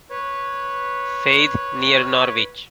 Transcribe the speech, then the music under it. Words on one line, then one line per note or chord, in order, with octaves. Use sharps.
Faith, near Norwich.
B4 C#5